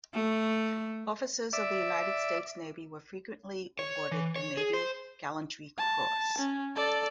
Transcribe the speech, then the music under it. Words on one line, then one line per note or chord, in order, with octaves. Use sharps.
Officers of the United States Navy were frequently awarded the Navy Gallantry Cross.
A3
D5 E5
C#5
E3
C#5
G#4
C5
A5
C#4
A4 D5